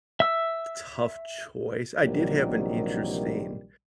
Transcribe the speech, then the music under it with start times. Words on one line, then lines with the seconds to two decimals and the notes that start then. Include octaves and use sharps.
tough choice. I did have an interesting
0.20 E5 E6
2.03 A#1 C3 D#3 E3 F#3 G3